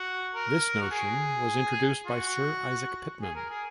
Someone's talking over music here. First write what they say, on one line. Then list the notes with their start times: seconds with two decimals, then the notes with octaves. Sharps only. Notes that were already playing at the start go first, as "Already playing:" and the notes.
This notation was introduced by Sir Isaac Pitman.
Already playing: F#4
0.34 A#4
0.81 F#4
0.91 G#4
2.06 F#4
3.21 G#4
3.35 A#4
3.50 G#4